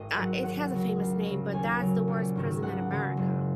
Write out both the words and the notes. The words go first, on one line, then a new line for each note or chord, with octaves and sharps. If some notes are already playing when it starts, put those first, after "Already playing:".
Uh, it has a famous name, but that's the worst prison in America.
Already playing: G#1 D#5
G#2 F#3 F#5
D#2 F#5
C#3 F#3
C#2
C#3 F#3
D#2 G#5
C#3 F#3
A#1
G#2 D#3 F#3
C#2 F#5
C#3 F#3
F#1